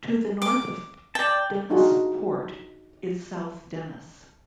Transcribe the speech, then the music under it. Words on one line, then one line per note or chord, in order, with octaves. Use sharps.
To the north of Dennis Port is South Dennis.
D6
D5 G5 A5
D4 D#4 F4 F#4 G#4